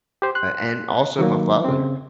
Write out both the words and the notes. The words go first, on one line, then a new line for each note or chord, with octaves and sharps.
and also my father,
G4 C5
C6 F#6
D#3 F#3 A#3
C#3 C4